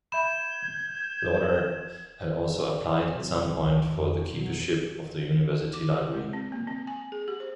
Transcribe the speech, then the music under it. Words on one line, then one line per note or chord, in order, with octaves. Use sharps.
Lauder had also applied at some point for the keepership of the university library.
E5 B5 G6 G#6 E7
C3 F#3
G#1 C#2
F2
E2 B2 F#3
D6
G4
G#3
C4
A#3
C4
G#5
G#4
G4
C5